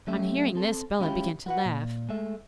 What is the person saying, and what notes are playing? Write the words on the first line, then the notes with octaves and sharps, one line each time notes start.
On hearing this Bellah began to laugh.
F#3 A3 C#4 G4 E5
C4 A4
G#3 C#4 E4 F4 G4
F#4 B4 F#5
A#2
G#3 A3 E5